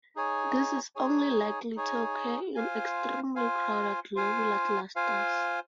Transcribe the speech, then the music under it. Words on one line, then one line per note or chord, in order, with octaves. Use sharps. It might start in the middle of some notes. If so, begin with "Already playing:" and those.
This is only likely to occur in extremely crowded globular clusters.
D#4 G#4 C#5 G#5
D#4 G#4 C#5 G#5
D#4 G#4 C#5 G#5
F4 C5 F5 G#5
F4 C5 F5 G#5
F4 C5 F5 G#5
F4 C5 F5 G#5